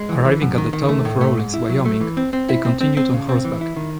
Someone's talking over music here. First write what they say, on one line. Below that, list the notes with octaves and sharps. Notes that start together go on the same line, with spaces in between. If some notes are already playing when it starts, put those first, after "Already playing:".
Arriving at the town of Rawlins, Wyoming they continued on horseback.
Already playing: G#3
E3
E3
F#2
D#3
D#3
A3
A2
A3
G#2
E4
F#3
A3
E3
C4
C4
E4
C4
C4
C4
C#3
C4
E3
E4
D#3